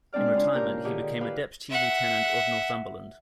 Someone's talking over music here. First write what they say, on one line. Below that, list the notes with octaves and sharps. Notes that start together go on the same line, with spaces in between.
In retirement he became a Deputy Lieutenant of Northumberland.
G#3 C4 D4 D5 F6
C#3 C#4 D4 E4 F4
A#2 A#3 G4 A#4 G6
D3 D#3 G4 G#4
E4 G4 B4 F5
E5 F#5